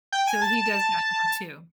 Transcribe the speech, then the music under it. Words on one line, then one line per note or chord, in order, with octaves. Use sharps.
So, he does that now too.
G5
G#5
A5